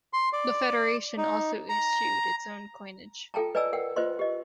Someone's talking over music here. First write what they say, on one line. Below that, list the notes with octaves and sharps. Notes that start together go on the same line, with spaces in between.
The Federation also issued its own coinage.
C6
D5
D#4
A#5
F4 A4 G5 A5 A#5
B4 D5 D#5 G#5 A#5 E6
A#4 F#5 G5
F4 B4 C5 D#5 C6
G4 D#5